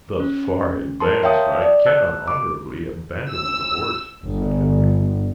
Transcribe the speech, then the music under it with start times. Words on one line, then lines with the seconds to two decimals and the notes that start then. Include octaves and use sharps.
"Thus far advanced, I cannot honourably abandon the divorce," said Henry.
0.20 C#4
1.00 A#4 A5 C6
1.23 C#5 E5 F5 G5 A5 D#6
1.62 D5
1.86 A5 E6 F#6
2.28 D6
3.31 E6
4.24 G1